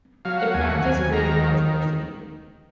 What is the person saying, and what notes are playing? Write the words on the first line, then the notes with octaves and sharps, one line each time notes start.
The practice created controversy.
F#3 F5
F#5
D#2 G#5
F#5
D#2 G#5
D#3 A#5